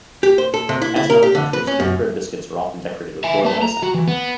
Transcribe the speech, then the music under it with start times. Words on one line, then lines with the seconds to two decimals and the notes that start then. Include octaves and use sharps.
As in other countries, Gingerbread biscuits are often decorated with Royal icing.
0.23 G4
0.38 C5
0.54 A4
0.69 C3
0.82 E4
0.96 E4
1.10 A#4
1.22 G4
1.35 D3
1.53 B4
1.67 C#4
1.80 F#2
3.24 E5 G#5
3.45 A#3 A5
3.62 A#5
3.83 F#4
3.94 E3
4.08 B3